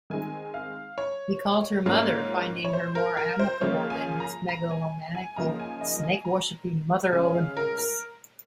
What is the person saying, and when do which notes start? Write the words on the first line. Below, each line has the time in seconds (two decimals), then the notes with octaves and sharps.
He called her "mother", finding her more amicable than his megalomaniacal snake-worshiping mother Olympias.
0.10 D#3 G#3 C4 G#5
0.54 F5
0.98 C#5
1.85 G#2 F#3 A#3 C#4 F4
2.64 C#5
2.73 C5
2.95 A#4
3.17 A#4
3.39 C5
3.61 C#3 F3 A#3 F4 C#5
3.90 G#5
4.20 A#5
4.49 A#5
4.71 G#5
5.15 G#5
5.36 C#3 F3 A#3 D#4 A#5
5.60 G#5
5.81 D#5
6.03 G#5
6.25 A#5
7.12 C#3 G#3 C#4 G#5
7.35 F5
7.57 A#4
7.78 A#4